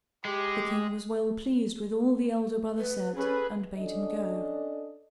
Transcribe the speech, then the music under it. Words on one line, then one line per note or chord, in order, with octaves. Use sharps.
The king was well pleased with all the elder brother said, and bade him go.
G#3 G4
B4
C#4 G#4 A4 B4
C#4 D4 A4 D#5